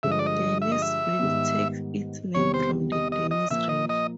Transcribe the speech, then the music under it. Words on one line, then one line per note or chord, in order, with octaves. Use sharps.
Dennysville takes its name from the Dennys River.
G2 D3 F3 G#3 E5
D#5
D5
D#5
E5
D#5
E5
G#2 D#3 G3 B3
E2 C3 D#3 G3 B3 C#5
C5
D#5
D#5
D#5
A#2 F3 A#3 E5
D#5
D#5